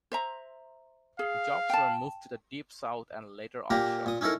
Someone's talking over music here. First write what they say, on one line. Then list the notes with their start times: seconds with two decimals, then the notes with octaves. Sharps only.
Jobs were moved to the Deep South and later offshore.
0.12 C5 E5 A#5
1.19 G#4 F5
1.70 G5 A5
3.70 A#2 A#3 G4 A#5
4.06 A#2 D#6
4.21 C#4 D#4 E4 A4 A#4